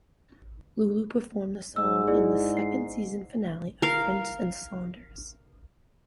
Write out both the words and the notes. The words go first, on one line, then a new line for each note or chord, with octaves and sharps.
Lulu performed the song in the second season finale of French and Saunders.
G#2 E6
E4 G#4 D5
C7
A#4 F5